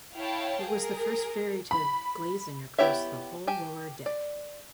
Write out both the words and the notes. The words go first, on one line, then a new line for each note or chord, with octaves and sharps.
It was the first ferry to have glazing across the whole lower deck.
E4 C#5 F5 G5 A5
G#4 A#4
B5
B3 E4 G4 C#5 E5
G4 G#5 A5
D5